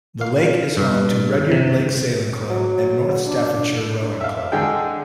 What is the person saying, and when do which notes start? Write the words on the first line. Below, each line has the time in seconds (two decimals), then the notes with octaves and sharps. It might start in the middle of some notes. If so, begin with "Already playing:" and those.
The lake is home to Rudyard Lake Sailing Club and North Staffordshire Rowing Club.
0.21 F5
0.77 G2
1.52 C3
2.50 F#3
3.27 D4
4.21 E5 F5
4.52 D3 G#3 G#4 G5